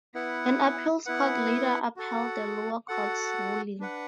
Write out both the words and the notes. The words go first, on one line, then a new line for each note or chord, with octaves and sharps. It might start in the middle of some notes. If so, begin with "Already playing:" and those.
An appeals court later upheld the lower court's ruling.
B3 E4 B4 F#5
B3 E4 B4 F#5
F#4 A4 F#5
F#4 A4 F#5
D4 B4 F#5